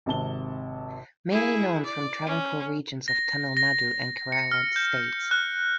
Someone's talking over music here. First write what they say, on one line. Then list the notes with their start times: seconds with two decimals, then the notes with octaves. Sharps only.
Mainly known from Travancore regions of Tamil Nadu and Kerala states.
0.06 G#1 C3 A5 G7
1.31 E4 G#4
1.84 D5
2.26 C#4
3.08 A#6
3.57 A#6
4.32 C#7
4.51 F6
4.76 G6
5.31 F#6